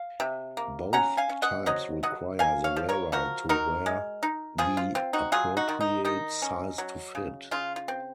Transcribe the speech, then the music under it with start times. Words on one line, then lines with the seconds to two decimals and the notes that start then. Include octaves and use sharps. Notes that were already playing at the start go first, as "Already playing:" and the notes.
Both types require the wearer to wear the appropriate size to fit.
Already playing: F5
0.20 C3
0.57 A#3
0.93 C#4 F#5 A#5
1.17 F5 G#5
1.29 C#4
1.42 D#5 F#5
1.66 F#3 C5 D#5
2.03 F#3 D#5 F#5
2.39 A#3 F5 G#5
2.64 C#5 F5
2.76 F3
2.89 A#4 C#5
3.12 F3 F#4 A#4
3.49 D#4 F#4 A#4
3.86 G#3
4.23 D#4
4.58 F3 F4 G#4
4.77 F4
4.95 C4 F4
5.13 D#4 F#4
5.32 F#3 F4 G#4
5.57 D#4 F#4
5.69 D#3
5.81 D#4
6.05 D#3 D#4
6.42 C#4
6.78 F#3
7.15 C#3
7.51 C#3 F4
7.76 F4
7.88 C4